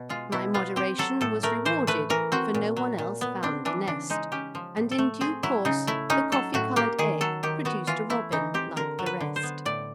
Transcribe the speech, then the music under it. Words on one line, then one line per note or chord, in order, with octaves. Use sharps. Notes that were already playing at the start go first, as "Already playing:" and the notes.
My moderation was rewarded, for no one else found the nest, and in due course the coffee-coloured egg produced a robin like the rest.
Already playing: B2
G#3 F4
B2 E4
B3 F4
C4 G4
F#3 A4
A2 A4
A3 A#4
E3 C5
A3 B4
E3 A#4
C4 F#4
A#2
F#3
A#2
B3
C4 D4
E3 D4
C#3 D4
G#3 D#4
C#4 G4
F3
A2
A4
A3
C4 G#4
F#3 E4
C#3 D#4
A3 E4
C#4 D#4
F#3 A4
A2 F#4
A#3 G4
D#3 G#4
F#3 A4
D#3 G4
B3 F#4
E3 F4
A3 E4
E3 D#4
C4 G4
D3 A#4
F#3
B4
D3
C5
B3
A2 D5